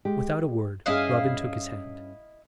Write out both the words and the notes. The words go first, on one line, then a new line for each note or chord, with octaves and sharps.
Without a word, Robin took his hand.
G#3 G4
G2 C#4 E4 G#4 D#5 F5